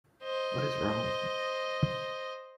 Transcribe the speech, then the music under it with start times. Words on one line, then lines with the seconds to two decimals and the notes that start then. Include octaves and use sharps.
What is wrong with me?
0.23 C5 D#5